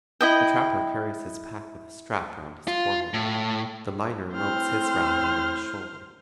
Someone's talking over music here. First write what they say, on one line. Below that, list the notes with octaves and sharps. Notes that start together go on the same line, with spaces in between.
The trapper carries his pack with a strap round his forehead. The miner ropes his round under his shoulders.
E4 D#5 G5
F4
A2
A2 C4 C5 F6